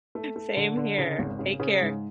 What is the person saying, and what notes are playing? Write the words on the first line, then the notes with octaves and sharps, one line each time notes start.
Same here. Take care.
A3
A3
D3
D3
C#3
G#1
C#3
C#3
G#2